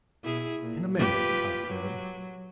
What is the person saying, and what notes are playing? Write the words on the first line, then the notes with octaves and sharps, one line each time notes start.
"In a minute," I said.
B2 E4 G#4
A#2
F4 G4 B4
F#3